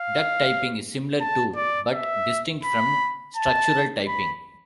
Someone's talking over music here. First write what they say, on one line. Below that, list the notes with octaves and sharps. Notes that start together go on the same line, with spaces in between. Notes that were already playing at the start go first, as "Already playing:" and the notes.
Duck typing is similar to, but distinct from structural typing.
Already playing: F5
A5
D5
E5
B5
A5
B5